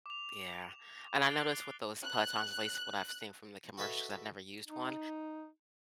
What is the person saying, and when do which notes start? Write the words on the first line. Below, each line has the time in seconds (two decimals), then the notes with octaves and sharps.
Yeah, and I noticed with those pelotons, at least what I've seen from the commercials, I've never used one.
0.06 D6 F7
1.27 F#6 A6 C7 D7 G7
2.04 F#6
3.78 F#4 A4 B4 D#5 E5
4.68 D#4